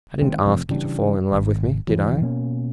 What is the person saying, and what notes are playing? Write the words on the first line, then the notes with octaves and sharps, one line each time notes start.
I didn't ask you to fall in love with me, did I?
D#3 G#3 C4
F1 F2
C#3 E3 G3 D4
G#1
D#1 E3 F#3
B2 A#3 C#4